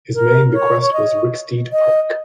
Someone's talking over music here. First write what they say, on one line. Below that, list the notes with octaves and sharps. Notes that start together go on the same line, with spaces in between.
His main bequest was Wicksteed Park.
A#4
C#5
C#5
D#5
D#5